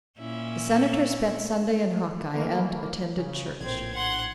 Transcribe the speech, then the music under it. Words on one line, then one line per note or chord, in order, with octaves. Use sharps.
The Senator spent Sunday in Hawkeye and attended church.
A#2 C#4 E4
E3 A3 A#3
C#3
A#1 A2 C4 G#6
F#5 C6